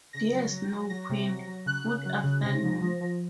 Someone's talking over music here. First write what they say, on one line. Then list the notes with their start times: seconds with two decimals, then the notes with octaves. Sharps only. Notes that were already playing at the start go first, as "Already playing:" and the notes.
Dear Snow Queen, good afternoon.
0.13 C#3 A#6
0.33 F#3
0.52 F#3
0.72 F#3
0.89 F#3 A#6
1.09 C3
1.28 F#3
1.47 F#3
1.66 C#3 F#6
1.85 C#3
2.05 F#3
2.23 C#3
2.42 C3 A#6
2.63 F3
2.81 F3
3.01 F3